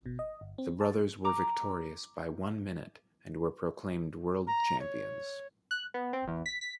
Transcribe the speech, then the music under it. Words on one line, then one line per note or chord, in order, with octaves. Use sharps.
The brothers were victorious by one minute, and were proclaimed world champions.
B2
D#5
G1
C4
A5
A#5 D6
A#5
C#5
F#6
B3
C4
E2
B6
B6